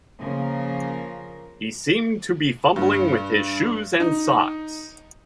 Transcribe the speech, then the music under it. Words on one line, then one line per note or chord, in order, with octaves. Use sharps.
He seemed to be fumbling with his shoes and socks.
C#3 F3 A#3 A#4
G2
D#4